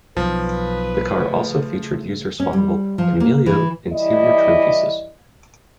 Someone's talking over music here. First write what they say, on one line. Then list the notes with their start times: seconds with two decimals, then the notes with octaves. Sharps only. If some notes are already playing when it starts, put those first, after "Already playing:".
The car also featured user swappable "Cameleo" interior trim pieces.
0.17 B1 F3 B4
1.17 C#3 A3
2.40 C#4
2.53 G3
2.98 F3
3.20 A#3
3.46 E3
3.92 E3 G3 E4 D5 D#5